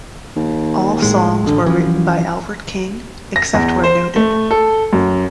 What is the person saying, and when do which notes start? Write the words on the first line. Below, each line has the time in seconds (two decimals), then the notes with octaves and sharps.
All songs were written by Albert King, except where noted.
0.36 D#2
1.02 A2 G#3
1.46 A1 D3
1.66 F#2 E3 F3
3.36 A#6
3.54 E2
3.84 C5
4.16 A3
4.51 A4
4.93 F#2